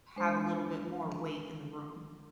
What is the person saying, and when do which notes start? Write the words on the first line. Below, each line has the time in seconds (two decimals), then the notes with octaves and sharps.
have a little bit more weight in the room.
0.16 G#3 D4 C5